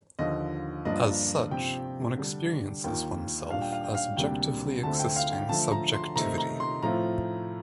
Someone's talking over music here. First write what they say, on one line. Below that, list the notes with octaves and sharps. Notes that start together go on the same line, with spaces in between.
As such, one experiences oneself as objectively existing subjectivity.
D#2 D3 F3 D#5
G2 F3 A#3 D4 F4 D#5
C3 F3 C4 G5
D3 G3 D4
D#2 D#3 A#3 F4 G5
A#2 G3 D4 F5
G5
F5
G5
F5
D2 C3 G3 A#3 D4 G5
D2 D3 A3 C4 A5
G5
F5
G5
D3 F3 A3 A5
A#5
C6
C3 D#3 A3 C4 D#4 A#5
A#5
C6
A2 F3 A3 C4 F4 A#5